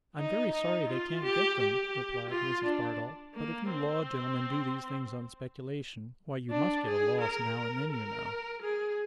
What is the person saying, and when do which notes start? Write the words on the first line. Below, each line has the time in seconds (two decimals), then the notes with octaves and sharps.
'I'm very sorry they can't get them,' replied Mrs. Bardell. 'But if you law gentlemen do these things on speculation, why you must get a loss now and then, you know.'
0.18 D#4
0.53 D#4
0.89 F4
1.23 G4
1.59 G4
2.29 F4
2.64 D4
3.35 A#3
3.70 C4
6.50 D4
6.86 G#4
7.21 A#4
7.92 A#4
8.61 G#4